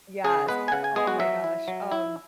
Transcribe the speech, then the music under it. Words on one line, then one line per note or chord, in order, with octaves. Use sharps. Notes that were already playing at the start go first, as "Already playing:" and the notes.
Yes, oh my gosh. Um, mm
C#3 G#4
G#3 B3 B4
G#5
C#3 F#5
G#5
G#3 B3 G#4
F#4
F#3 E5
E4
F#3
E4